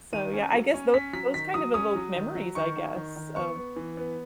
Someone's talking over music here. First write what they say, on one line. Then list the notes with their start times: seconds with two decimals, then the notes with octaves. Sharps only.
So, yeah, I guess those those kind of evoke memories I guess of
0.13 D#3 D#7
0.33 C#4
0.54 F#3
0.74 C#4
0.94 C#4 B6
1.13 F#3 B6
1.34 D#3 B6
1.54 F#3 D#6
1.74 C#4 D#6
1.95 F#3
2.15 D#3
2.35 F#3
2.55 D#3 C#6
2.76 D#3
2.96 D#3
3.16 D#3
3.36 B3 C#6
3.56 B3
3.76 E3
3.97 B3